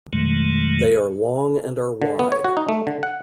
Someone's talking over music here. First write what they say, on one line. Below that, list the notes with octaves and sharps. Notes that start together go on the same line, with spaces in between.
They are long and are wide.
F2 B2 D#3 F#3 G#3 A3
D3
B3
C#5
F#4
D#4
A3
D3
F#5